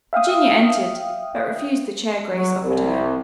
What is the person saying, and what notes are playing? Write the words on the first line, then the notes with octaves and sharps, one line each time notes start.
Virginia entered, but refused the chair Grace offered her.
E5 F5 G5 D#6
F#3
C2